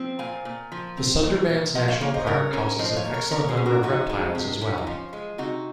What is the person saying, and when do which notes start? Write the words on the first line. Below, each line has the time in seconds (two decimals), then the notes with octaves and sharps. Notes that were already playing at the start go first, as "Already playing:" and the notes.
The Sundarbans National Park houses an excellent number of reptiles as well.
Already playing: F3 C4
0.19 A#2 F5 G#5
0.45 A#2
0.72 F3
0.97 C4
1.23 A#2
1.49 A#2
1.75 F3 D#5 F#5
1.88 C#5 F5
2.01 A#3 C#5 F5
2.14 C5 D#5
2.26 C#3 A#4 C#5
2.53 C#4 A#4 C#5
2.79 F3 C5 D#5
2.96 C#5 F5
3.05 A#3
3.13 A#4 C#5
3.31 C#3 A#4 C#5
3.48 G#4 C5
3.57 C#4
3.66 F#4 A#4
3.83 F3 D#4 F#4
4.09 G#3
4.35 C3
4.61 C#4
4.78 D#4
4.87 F3 F4
5.13 G#3
5.38 C3 D#4 F#4